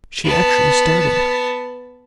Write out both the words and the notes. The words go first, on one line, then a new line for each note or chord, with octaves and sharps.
She actually started.
B3 A5